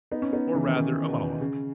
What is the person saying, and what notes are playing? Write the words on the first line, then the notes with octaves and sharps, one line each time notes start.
Or, rather, a monologue.
B3 D#4
C#4
B3 D#4
C#3 E3
D#3
C#3
B2
C#3